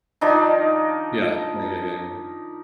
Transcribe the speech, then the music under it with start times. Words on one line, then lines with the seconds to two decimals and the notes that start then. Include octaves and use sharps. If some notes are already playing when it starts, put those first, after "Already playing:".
Yeah. Yeah, yeah, yeah, yeah.
0.21 D#3 F3 D4 D#4